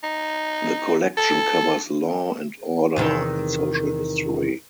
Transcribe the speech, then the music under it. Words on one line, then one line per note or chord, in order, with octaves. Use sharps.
The collection covers law and order, and social history.
D#4
A4
E2 C3 D#3